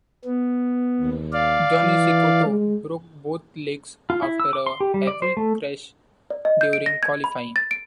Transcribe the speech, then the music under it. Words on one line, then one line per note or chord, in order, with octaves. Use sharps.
Johnny Cecotto broke both legs after a heavy crash during qualifying.
B3
D#2
D5 F5
E3
G#3
F4
E4
E6
D6
C6
G4
G3
D5
C5
A3
D5
D#5
G6
D7
A#6
G#6
B5
A6
D7